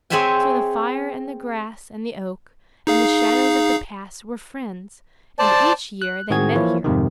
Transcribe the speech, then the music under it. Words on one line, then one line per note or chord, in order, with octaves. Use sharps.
So the fire, and the grass, and the oak, and the shadows of the Past were friends, and each year they met here.
C4 G#4 C#5 E5 G5 G#5
D#4 G#4 F5
C5 D5 A5
F#6
A2 D#3 C4 F#4 G#4 G#6
E3 F3 A#3 E4 C#5
F2 G#2 C3 D#3